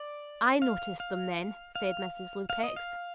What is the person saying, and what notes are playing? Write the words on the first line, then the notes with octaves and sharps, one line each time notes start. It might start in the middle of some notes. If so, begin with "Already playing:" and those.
"I noticed them, then," said Mrs. Lupex.
Already playing: D5
F5
F5
F5
F5
D#5
F5